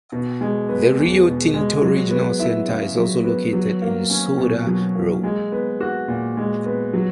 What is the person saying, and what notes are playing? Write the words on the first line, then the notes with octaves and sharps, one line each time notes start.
The Rio Tinto Regional Center is also located in SoDa Row.
B2
G#3
B3
E2
B2
G#3
F#3
B3
E4
C#3
F#3
B3
F#3
A#3
C#4
B2
F#3
A#3
G#3
B3
F#4
A#2
G#3
B3
F#3